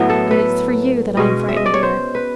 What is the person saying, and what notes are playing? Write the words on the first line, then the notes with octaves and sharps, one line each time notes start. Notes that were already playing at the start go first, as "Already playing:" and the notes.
But it is for you that I am frightened, dear.
Already playing: A2 F#3 B3 E4
A4
B4
B2 G#3 C#4 D#5
E5
D#5
D5
C#5
C5
B4